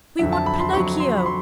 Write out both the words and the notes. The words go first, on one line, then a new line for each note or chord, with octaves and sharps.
We want Pinocchio!
F2 D3 F#3 E5
A5
B5
C6
F2 D3 F#3 C#6
C6
B5
C6